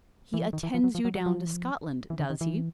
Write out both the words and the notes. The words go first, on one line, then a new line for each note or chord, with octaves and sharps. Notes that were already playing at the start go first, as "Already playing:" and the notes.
He attends you down to Scotland;--does he?
E3
F3
D#3
E3
F3
F#3
F3
F#3
F#3
F#3
F3
E3
F3
E3
D3
D#3
E3